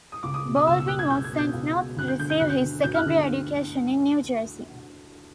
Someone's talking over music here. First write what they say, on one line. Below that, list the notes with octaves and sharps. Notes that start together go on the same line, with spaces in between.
Baldwin was sent north to receive his secondary education in New Jersey.
D#6
C#2 D6
D#6
B2
D#6
C#2 E6
E6
B2 F#6
G#6
C#2 G6
G#6
B2
G6
C#2
B2
D2 F#6
G6
D3 G6
G6
D2 F#6
G6
D3
D2 G6
F6
F#6
D3